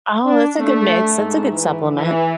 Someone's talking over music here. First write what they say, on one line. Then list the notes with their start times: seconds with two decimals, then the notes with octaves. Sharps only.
Oh, that's a good mix. That's a good supplement.
0.25 D4
0.59 A3
1.16 G#2
1.53 E3
1.96 E3